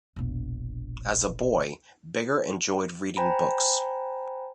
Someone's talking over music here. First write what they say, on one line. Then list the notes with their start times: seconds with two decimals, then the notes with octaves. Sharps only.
As a boy, Bigger enjoyed reading books.
0.16 E1 A#1
3.17 C5 G5 G#5 A#5 B5